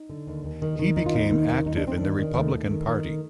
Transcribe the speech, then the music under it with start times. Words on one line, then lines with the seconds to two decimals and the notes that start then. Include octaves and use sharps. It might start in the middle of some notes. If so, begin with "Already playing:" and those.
He became active in the Republican Party.
Already playing: D#4
0.10 D3
0.27 D#2
0.44 D#2
0.62 D#3
0.79 D#3
0.96 D#2 D#4
1.06 F4
1.14 D#2 D#4
1.32 D#3
1.49 D#3
1.66 D#2 D#4
1.77 D4
1.84 D#2 C4
1.98 D#3 D4
2.19 D#3
2.35 D#2 A3
2.53 D#2
2.71 D#3
2.88 D#3